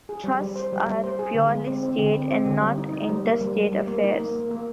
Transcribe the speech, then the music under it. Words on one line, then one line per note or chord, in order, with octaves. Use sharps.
Trusts are purely state, and not interstate affairs.
G#4
G3
G3
C5
G3
G3
C5
G#4
D3
G#3
C4
C4
D3
C4
C4
D3
G3
D#4
D#4
G3
A#3
G3
G3
G3
A#3
D#4
A#3
A#3
A#3